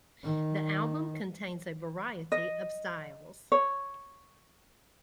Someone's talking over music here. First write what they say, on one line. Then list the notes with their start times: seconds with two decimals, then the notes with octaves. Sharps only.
The album contains a variety of styles.
0.23 D#3
2.32 D#5
3.52 C#5